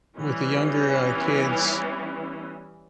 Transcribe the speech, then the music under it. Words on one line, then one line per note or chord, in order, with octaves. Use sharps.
with the younger, uh kids,
E3 G3 B3 C#4